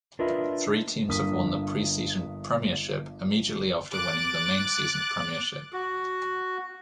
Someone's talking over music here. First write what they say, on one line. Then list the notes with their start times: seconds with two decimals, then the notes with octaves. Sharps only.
Three teams have won the pre-season premiership immediately after winning the main season premiership.
0.19 D4 F4 A#4 B4 D#5 E5
1.08 G1 G2 A#3 D#6 B6
3.92 D6 F#6 A6
5.73 F#4